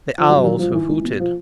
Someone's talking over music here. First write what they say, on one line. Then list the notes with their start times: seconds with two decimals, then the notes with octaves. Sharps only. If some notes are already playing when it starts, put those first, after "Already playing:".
The owls have hooted.
0.18 F3
0.29 G2 F#3
0.43 D#3 F#3
0.59 G2 F3
0.74 D#3 E3
0.89 C#2
1.04 B2
1.20 F3